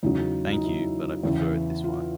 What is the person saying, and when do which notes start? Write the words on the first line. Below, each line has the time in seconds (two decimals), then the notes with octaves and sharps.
Thank you, but i prefer it this way.
0.03 E2 C#3 F#3 D#4
0.53 D#4
0.64 E4
1.23 E2 C#3 E3
1.84 F4